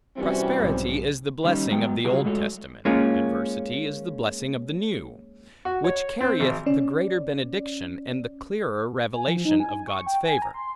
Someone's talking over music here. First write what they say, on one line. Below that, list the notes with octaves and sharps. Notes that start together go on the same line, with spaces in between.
Prosperity is the blessing of the Old Testament; adversity is the blessing of the New; which carrieth the greater benediction, and the clearer revelation of God's favor.
C3 E3 G3 C4 C#4 F#4
B1 G#2
D#3 F#3 G3 A3 C#4 D#4
F#2 F#3 G#3 B3 G5
C#3 F#3 G3 F4 F#4 G#4
F#3 G#3 A3 F#4 A4 C#5
G#3 A#3 C#4 F4
F#4
C#5
C4
G#1
C#4 D5
G#5
F3
D#4
G#5
G#5
C#6
G5
G#5
A#5
C6